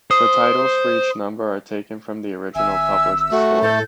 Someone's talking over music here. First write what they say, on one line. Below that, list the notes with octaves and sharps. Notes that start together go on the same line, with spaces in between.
The titles for each number are taken from the original published score.
C5 D#6
G#1 E5 G#5 E6
A3 F#4
A2 A4 G6